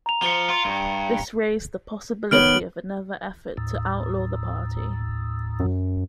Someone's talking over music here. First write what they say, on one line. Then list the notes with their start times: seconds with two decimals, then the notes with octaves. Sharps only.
This raised the possibility of another effort to outlaw the party.
0.06 A#5 F7
0.22 F3 C#7 G7
0.50 F4
0.65 G2
2.31 D#3 B3 C#5 F6 D7 F#7
3.57 D#2 A2
5.60 F#2